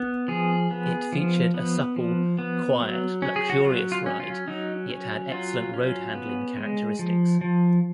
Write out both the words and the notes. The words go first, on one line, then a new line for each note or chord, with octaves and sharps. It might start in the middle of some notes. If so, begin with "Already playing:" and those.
It featured a supple, quiet luxurious ride, yet had excellent road handling characteristics.
Already playing: B3
F3 G#4
B3
F3
B3
F3
B3
F#3
C#4
G#4
F#4
F#3 F4
F4
C#4
F4
F#3 D#4
C#4
F#3 F4
C#4
B3
G#3
F3
F3